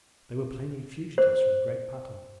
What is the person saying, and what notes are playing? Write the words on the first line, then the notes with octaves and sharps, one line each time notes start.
They were plainly fugitives from the great battle.
C5